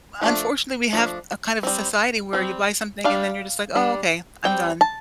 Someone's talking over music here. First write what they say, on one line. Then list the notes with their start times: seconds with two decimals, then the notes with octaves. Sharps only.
unfortunately, we have a kind of a society where you buy something, and then you're just like, "Oh, okay. I'm done."
0.21 F3 A3 D4
0.93 F3 A3 D4
1.63 G3 C4
2.33 G3 C4
3.04 G3 D4 F5
3.75 G3 D4
4.45 G3 C4 G5
4.81 A5